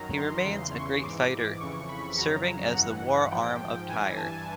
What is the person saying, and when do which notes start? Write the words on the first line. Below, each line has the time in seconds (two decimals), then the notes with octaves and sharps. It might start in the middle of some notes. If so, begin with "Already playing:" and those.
He remains a great fighter, serving as the war arm of Tyr.
Already playing: F#2 D#3 F#3 A#5
0.18 C6
0.45 E2 C#3 E3
0.75 C#6
1.03 G#2 E3 D6
1.60 F2 C#3 E3 C#6
1.89 B5
2.17 F2 C#3 F#3 A#5
2.74 G2 E3 F#5
3.31 G#2 F3 G5
3.89 G2 E3 G#5
4.17 A5